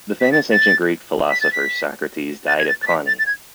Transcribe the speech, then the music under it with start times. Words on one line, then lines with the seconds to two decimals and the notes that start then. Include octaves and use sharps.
The famous ancient Greek philosopher Socrates died of coniine.
0.20 B6
0.32 A6
0.52 A6
1.30 B6
1.41 A6
1.52 B6
2.47 A6
2.59 G#6
2.68 A6
2.82 A6
2.87 B6
3.07 A6
3.19 A6
3.26 G#6